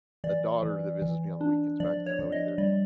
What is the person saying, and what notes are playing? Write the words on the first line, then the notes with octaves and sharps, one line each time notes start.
a daughter that visits me on the weekends back then, though, either.
E3 D5
E3
E3
D4
F3 D5
C#5
F3
D#5
G3 D5